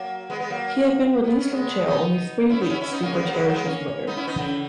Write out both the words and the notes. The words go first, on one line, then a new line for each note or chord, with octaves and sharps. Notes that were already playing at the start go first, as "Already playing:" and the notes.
He had been released from jail only three weeks before Cherish’s murder.
Already playing: F#3 A#3
G#3 B3
G#3 B3
F#3 A#3
B3
C#4
G#3 B3
B3 D#4
C#4 E4
B3 D#4
C#4 E4
C#4 E4
B3 D#4
A#3 C#4
G#3 B3
F#3 A#3
G#3 B3
F#3 A#3
G#3 B3
A#3 C#4
B3 D#4
C#4 E4
B3 D#4
C#3 E3